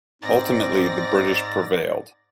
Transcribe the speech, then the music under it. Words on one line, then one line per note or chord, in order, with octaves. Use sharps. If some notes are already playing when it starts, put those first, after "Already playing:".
Ultimately, the British prevailed.
G#2 C4 D5 A6 A#6